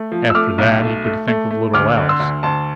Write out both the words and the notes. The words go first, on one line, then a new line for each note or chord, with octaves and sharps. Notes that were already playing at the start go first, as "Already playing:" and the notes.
After that he could think of little else.
Already playing: A3
F3
E6
A3 D6 F6
B1
A3
A3
A3
A3
D2 D6 F6
D3
C6 E6
D2
D2 A5 C6